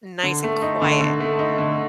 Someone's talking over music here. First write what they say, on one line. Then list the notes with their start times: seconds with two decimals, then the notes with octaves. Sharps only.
nice and quiet
0.23 D3
0.44 A3
0.62 D#4
0.82 D3
1.01 D3
1.20 A3
1.39 D#4
1.58 D3